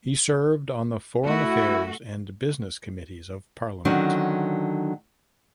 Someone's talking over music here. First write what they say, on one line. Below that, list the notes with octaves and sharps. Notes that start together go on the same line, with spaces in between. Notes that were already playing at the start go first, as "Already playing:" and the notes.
He served on the Foreign Affairs and Business Committees of Parliament.
A3 E4 F#4
D3 D#3 F#3 C#4 D4